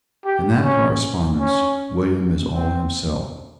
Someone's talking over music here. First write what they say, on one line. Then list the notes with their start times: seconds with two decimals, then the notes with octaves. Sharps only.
In that correspondence William is all himself.
0.25 G4
0.63 C#4
1.39 C#4
2.54 C4